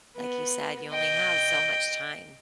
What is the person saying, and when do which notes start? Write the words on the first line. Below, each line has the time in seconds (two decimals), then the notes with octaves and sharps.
like you said, you only have so much time.
0.17 B3
0.92 D#5 G5